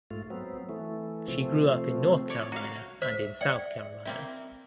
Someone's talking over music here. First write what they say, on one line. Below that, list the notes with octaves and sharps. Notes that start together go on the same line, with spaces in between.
She grew up in North Carolina and in South Carolina.
G#2 A3 F4
F#3 B3 C4
E3 A3
C3 F3 A3 C4
C#5 D5
F#4 F5 A#5
C5 E5
D5 E5 F#5 G5
A#3 C4 E4